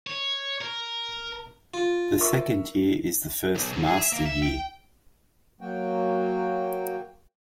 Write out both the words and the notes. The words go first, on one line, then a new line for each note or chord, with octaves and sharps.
The second year is the first master year.
C#5
A#4
F4
A#4 E5 C#6
B1
G#2
G#4
E5
A#3
E5
G5
F#3 A#3 F#4 G5